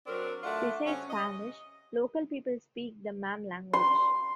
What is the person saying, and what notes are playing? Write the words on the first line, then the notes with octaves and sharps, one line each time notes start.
Beside Spanish, local people speak the Mam language.
F#3 C4 D4 A#4
A3 D4 F4 D5 F#5
C3 F#3 C#4
D#5
C6